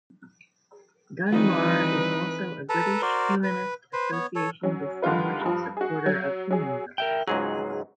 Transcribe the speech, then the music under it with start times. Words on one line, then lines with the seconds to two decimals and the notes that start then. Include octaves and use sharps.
Dunbar is also a British Humanist Association Distinguished Supporter of Humanism.
1.33 D#3 E3 G3 C4 D#4 F4 B4
2.69 A4 B4 A5 A#5
3.02 F#4 A#4 C5 D5
3.44 B4
3.93 B4 C5
4.12 B3 C#5
4.35 A4 C#5
4.63 F#3 C#4
5.02 D3 D#3 G3 F4 B4
5.41 G2 F3
5.77 F#4 G#4
6.06 F#3
6.51 F#3 G#4
6.98 A#4 E5 G5
7.28 C#2 G#2 F#3 G#4